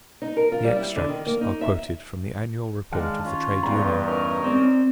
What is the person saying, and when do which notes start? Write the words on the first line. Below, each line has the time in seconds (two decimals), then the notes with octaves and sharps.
The extracts are quoted from the annual report of the trade union.
0.22 D#4
0.37 A#4
0.52 F4
0.64 G3
0.76 E4
0.96 D3
1.09 D#3
1.26 A#3
1.41 D#4
1.61 E5
2.92 D#3 G#3 D4 F5
3.25 C#4 F4
3.63 E2 G2 A#5
4.06 C#4 D#4 A#4
4.44 C4 D5